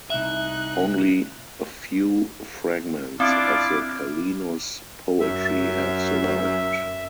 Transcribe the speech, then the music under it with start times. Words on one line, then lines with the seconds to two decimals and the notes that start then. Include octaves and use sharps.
Only a few fragments of the Callinus' poetry have survived.
0.10 C2 D#4 E5 F#6
3.20 C4 D4 E4 F4 D6
5.20 F#2 E5